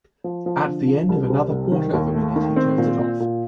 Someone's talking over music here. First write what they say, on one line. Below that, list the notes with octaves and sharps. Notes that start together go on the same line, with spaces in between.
At the end of another quarter of a minute, he turns it off.
F3
F3
D3
F3
C2
C3
C2
D#3
D#2
A3
D#3
C4
A#2
A#2
A#2